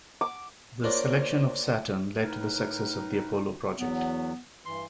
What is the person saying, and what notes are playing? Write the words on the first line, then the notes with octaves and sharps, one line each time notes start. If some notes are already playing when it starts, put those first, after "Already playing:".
The selection of Saturn led to the success of the Apollo project.
D6
A#3 D4 F4 C5 C#5
A2 D#4 A#4 B4
E2 F#3 B3
G2 E3 C6